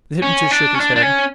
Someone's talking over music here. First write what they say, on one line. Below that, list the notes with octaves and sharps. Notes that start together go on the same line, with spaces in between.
The hypnotist shook his head.
C#4
D4
C#4
D4
D4
C#4